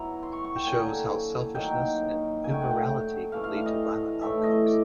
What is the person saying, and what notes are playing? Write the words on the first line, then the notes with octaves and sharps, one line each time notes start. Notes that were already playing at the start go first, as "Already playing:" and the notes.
It shows how selfishness and immorality can lead to violent outcomes.
Already playing: F#3 B3 E4 A#5
C6
C#6
C#6
G5
D3 F#3 A#3 G#5
D#3 F#3 A#3 D#4 G5
A#2 F#3 A3 G#5
G5
F#5
G5
E3 A3 D4 F5
F5
F5
D#5
A2 E3 A3 E5
D#5
D5